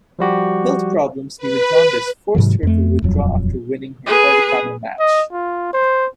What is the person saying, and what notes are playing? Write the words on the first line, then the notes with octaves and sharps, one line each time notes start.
Health problems due to jaundice forced her to withdraw after winning her quarterfinal match.
F3 G3 F#4 G4
B4
G#2 C3 E3 F#3
F2 A3
D#1 F2 F#3 G3
G#4 B4
D#5
F4
C5